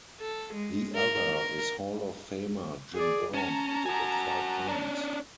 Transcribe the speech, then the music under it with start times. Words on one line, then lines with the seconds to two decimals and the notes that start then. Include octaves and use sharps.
The other is Hall of Famer Jim Brown, who did it five times.
0.20 A4
0.54 G#3
0.95 A#4
1.34 A#4
2.94 G#4 D5
3.34 C#4 A5 A#5
3.86 F#4 G#5
4.68 C#4 D4